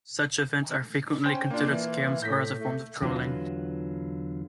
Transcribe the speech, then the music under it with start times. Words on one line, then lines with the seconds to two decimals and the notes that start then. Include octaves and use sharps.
Such events are frequently considered scams or other forms of trolling.
1.25 C#4 C5 G5
1.50 A#3 D4 F4
1.69 E3
2.22 A2 G6 A#6 B6
2.59 A3
3.02 E2 D3 F#3 F4 B4